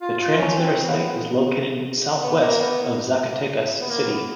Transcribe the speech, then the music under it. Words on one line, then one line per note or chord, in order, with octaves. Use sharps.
The transmitter site is located southwest of Zacatecas City.
F4
F4
C#4
C4
B3
B3
A#3
B3
B3
A#3
B3